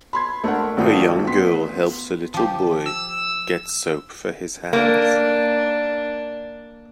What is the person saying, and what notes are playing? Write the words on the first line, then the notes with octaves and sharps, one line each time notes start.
A young girl helps a little boy get soap for his hands.
B5 C6 G#6
A3 D4 A#4 F#5
G#1 A3 F4 F#4 G5 D#6
B3 C6 B6
F3 G4
E6
A#3 D4